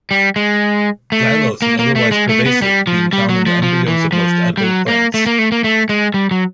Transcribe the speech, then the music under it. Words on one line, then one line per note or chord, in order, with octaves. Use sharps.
Xylose is otherwise pervasive, being found in the embryos of most edible plants.
G3
G#3
A3
A#3
A#3
A3
G#3
A3
B3
G3
F3
G3
F#3
F3
F3
E3
F3
G3
F#3
A#3
A3
A#3
A3
A#3
A3
G#3
G3
F#3